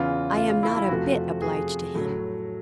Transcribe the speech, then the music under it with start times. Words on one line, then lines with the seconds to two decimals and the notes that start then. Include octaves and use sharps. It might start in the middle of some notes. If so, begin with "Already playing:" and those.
I am not a bit obliged to him.
Already playing: E2 C#3 E3 F4
0.36 F4
0.50 F4
0.63 E4
0.76 E4
0.89 F2 C3 F3 A3 F#4
1.42 G#4
1.95 A2 F#3 A3